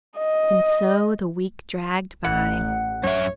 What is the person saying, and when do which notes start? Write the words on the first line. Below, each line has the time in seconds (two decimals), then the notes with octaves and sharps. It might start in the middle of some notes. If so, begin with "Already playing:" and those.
And so the week dragged by....
0.17 D#5
2.24 A1 F#5
3.04 F#2 C#5 E5